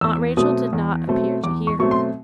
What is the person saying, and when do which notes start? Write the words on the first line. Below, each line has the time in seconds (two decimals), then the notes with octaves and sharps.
Aunt Rachel did not appear to hear her.
0.01 E2 E6
0.37 B2 F#3 A3 C4 D#6
0.73 E2
1.08 B2 F#3 A3 C4
1.44 E2 D6
1.67 C#6
1.79 B2 F#3 A3 C4 C#6
1.91 C6